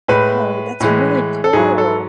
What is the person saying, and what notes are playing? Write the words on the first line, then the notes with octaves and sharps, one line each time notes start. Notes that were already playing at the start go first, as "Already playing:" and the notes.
Oh, that's really cool.
A2 G#3 B4
A2 E3 G#3
A4
G#2 F#3 G#4
A4